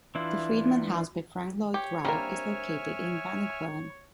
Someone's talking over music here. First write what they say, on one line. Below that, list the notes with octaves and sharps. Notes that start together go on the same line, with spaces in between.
The Friedman house by Frank Lloyd Wright is located in Bannockburn.
E3 D4 E4 F4
G4 C#5
G3 A#3 C4 D4 A#4 E5 G#5 F6